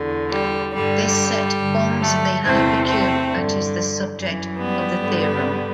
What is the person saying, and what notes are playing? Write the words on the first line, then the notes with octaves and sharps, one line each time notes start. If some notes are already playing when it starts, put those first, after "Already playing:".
This set forms the hypercube that is the subject of the theorem.
Already playing: E2 D3
G3
G2 D3 G3
G2 D3
F#3 A3
E2 C3 E3 A3 C4
A3 C4
G2 D3
F#2 E3
G3 B3
G2 D3